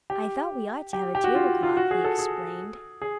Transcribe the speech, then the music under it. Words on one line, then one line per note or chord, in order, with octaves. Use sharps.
"I thought we ought to have a tablecloth," he explained.
G4
G4
G4
F#4
F4
F4
F#4
G#4
A4
G#4
G#4